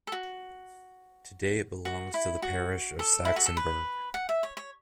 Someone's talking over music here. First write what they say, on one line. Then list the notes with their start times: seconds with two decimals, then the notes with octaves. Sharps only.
Today it belongs to the parish of Sachsenberg.
0.07 A4
0.12 F#4
1.85 F#4
2.14 E4
2.42 F#4
2.99 A4
3.25 E4
3.36 F#4
3.46 A4
3.57 B4
4.14 F#5
4.29 E5
4.43 C#5
4.57 C#5